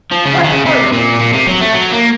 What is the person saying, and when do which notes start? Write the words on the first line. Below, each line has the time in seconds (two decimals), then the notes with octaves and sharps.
WHAT are you?' said the Pigeon.
0.11 F3
0.25 C#3
0.37 F3
0.44 D#3
0.52 C#3
0.66 C3
0.93 A#2
1.21 A#2
1.33 C3
1.47 F#3
1.61 A3
1.75 F#3
1.93 A#3